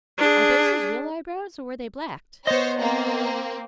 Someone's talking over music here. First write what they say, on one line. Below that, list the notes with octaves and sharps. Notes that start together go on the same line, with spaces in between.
"Are those his real eyebrows or were they blacked?"
D4 G#4
B3 C5 C#5 D#5
A#3 C4